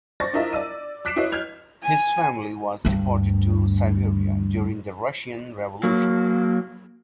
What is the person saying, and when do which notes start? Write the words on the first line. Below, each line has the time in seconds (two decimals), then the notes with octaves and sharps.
His family was deported to Siberia during the Russian Revolution.
0.20 C5 D5 C#6 A6 A#6
0.33 D4 E4 F4 A#4 D#5 E5
0.53 D5 E6 D#7
1.05 D6 F#6 B6 C7 D7 E7
1.16 E4 F#4 B4 C#5 D#5
1.32 F6 G6 G#6 F7
1.82 G#5
2.85 D2 G2
5.83 F#3 A#3